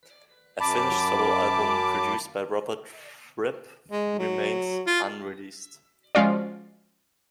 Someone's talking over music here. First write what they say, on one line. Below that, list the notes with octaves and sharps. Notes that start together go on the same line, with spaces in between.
A finished solo album, produced by Robert Fripp, remains unreleased.
F#2 A5 B5 D6
G#3
F#3
F4
F3 G#3 C#4 F4 F#4 D5